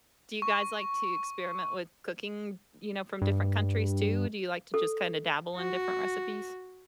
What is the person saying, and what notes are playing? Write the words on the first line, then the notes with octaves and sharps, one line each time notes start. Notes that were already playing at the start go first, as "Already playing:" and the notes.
do you guys like to experiment with cooking, you know, from different countries, too? Do you like to just kinda dabble in different recipes?
C#6
G2
A4
F#4